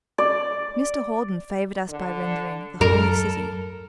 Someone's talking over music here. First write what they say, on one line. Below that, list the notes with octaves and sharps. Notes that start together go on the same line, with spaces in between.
Mr Hawden favoured us by rendering "The Holy City".
D5
D3
F#2 A4 A#4